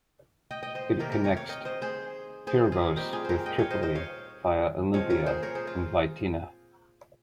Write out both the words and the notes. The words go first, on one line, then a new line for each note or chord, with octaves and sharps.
It connects Pyrgos with Tripoli, via Olympia and Vytina.
D#5 G5
D#5 G5
C5 D#5
C3 D#3 A#3 C#4 G4 A#4
G4 A#4
A#4 C#5
C#5 F5
D#5 G5
C5 D#5
G#4 C5
G#4 C5
F4 G#4
A#2 G3 C4 D#4 G4
F4 G#4
G4 A#4 C5
D#5 G5
C#5 F5
C5 D#5
C5 D#5
C#5 F5
A#2 F3 G#3 C4 C#5 F5
A#4 C#5
G#4 C5
A#4 C#5
G#4 C5
F4